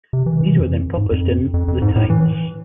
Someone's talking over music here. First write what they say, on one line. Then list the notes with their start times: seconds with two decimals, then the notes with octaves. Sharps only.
These were then published in "The Times".
0.13 C3
0.26 E3
0.41 E3
0.50 C3
0.59 F2
0.97 G#2
1.11 F2
1.54 F2
1.68 F2
1.82 G#2
1.96 A2
2.10 E3